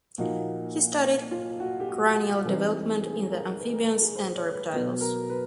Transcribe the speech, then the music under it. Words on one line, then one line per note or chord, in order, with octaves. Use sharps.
He studied cranial development in the amphibians and reptiles.
A#2 F3 A#3 D#4 F#4
F4
F#4
G4
F#4
E3 G3 C4 D#4
G#4
A#4
B4
A#4
A4
G#4
C5
C#5
B4
B2 F#3 B3 B4
A#4
B4